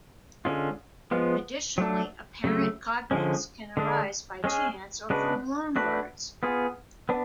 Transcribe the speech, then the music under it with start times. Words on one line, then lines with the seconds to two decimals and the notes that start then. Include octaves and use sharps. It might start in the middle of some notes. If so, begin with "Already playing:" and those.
Additionally, apparent cognates can arise by chance or from loan words.
0.45 D3 G#3 C#4 F4
1.11 F3 G#3 B3 F4
1.78 F#3 A3 D4
2.44 C#3 F#3 A3
3.11 D3 F3 G#3 C#4
3.77 D3 G#3 D4
4.44 G#3 C#4 G#4
5.10 C#3 G#3 D4 F#4 B4
5.76 A3 D4 F#4 B4
6.43 B3 F4 G#4
7.09 B3 D4